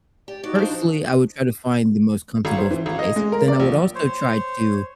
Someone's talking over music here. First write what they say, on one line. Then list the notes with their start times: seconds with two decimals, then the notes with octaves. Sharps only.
firstly, I would try to find the most comfortable place, but then I would also try to,
0.28 G4 D5
0.44 D#4 F#4 D5
0.55 F3 C5
0.67 D4
2.45 G#1
2.58 C5
2.71 E3
2.86 G#1
2.99 D#5
3.16 G#3
3.32 A#4
3.48 D5
3.60 A#1
3.95 C5 C#5